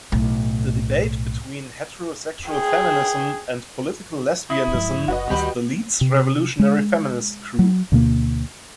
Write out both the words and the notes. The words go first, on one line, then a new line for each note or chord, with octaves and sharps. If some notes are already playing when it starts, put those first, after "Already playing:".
The Debate Between Heterosexual Feminism and Political Lesbianism with the Leeds Revolutionary Feminist Group.
B1 A2
G#4 G5
E4 D#6
G2 F3 G#3
F#1 F#4 B4 D#5
D2 D#3 G3 G4 B5
C3
G#3
F#3
D2 B2 G#3 A#3